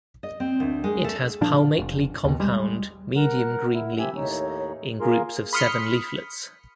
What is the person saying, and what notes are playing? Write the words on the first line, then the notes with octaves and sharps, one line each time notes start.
It has palmately compound medium green leaves in groups of seven leaflets.
D#5
C4
D2
G#3
A3
A#2 F3 D4
F1
D#2 B2
G3 G#3
A#4 F#5
E4
C4 G4 E5 G#5
D#2 A2 D#4 C#5
A#3 F4 G#4 A#4 C6
B5 C6 D#6 F6 B6 C#7